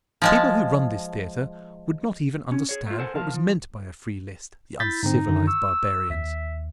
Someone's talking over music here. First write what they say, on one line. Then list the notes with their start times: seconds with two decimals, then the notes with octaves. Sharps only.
But the people who run this theatre would not even understand what was meant by a 'free list,' the uncivilised barbarians!
0.22 F3 G#3 A5
2.52 C#4
2.69 G#4 C#5
2.86 A3 F4
2.98 A4 A#4 C5 F#5 G#5
3.14 F3 A#4 F5 A5
3.34 F3
4.80 E4 G6 A6 B6
5.03 G#2 D3 C4 D#4
5.28 F#2 D3 D#3
5.47 C#6 E6
6.10 D#2 E5